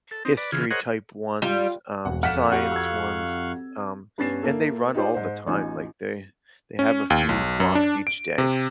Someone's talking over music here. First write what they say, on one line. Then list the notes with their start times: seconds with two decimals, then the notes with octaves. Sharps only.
history type ones, um, science ones, um, and they run all the time, like, they they have a few blocks each day.
0.11 A4
0.25 C4 D#4
0.37 B4 D5
0.52 C#3 E3 F4 G#4
0.70 G#4 A#4 C5 C#5 D#5 F#5
1.42 G3 F4
2.05 E1 F#5
2.23 F2 F#5 F6 B6 E7
2.51 F#4 G4 F5 F#5 C#6 F#6
2.72 E6 G#6
4.18 G2 B3 C#4 A6 C7 E7
4.43 A#3 E4 A4
4.95 D#4 F4 G4 C5 D5
5.14 G#2 C5
5.46 A1 D#4 F4 G#5
6.79 C#4
7.10 D#2
7.29 B1
7.60 F#2
7.75 D4
8.07 D7
8.38 C3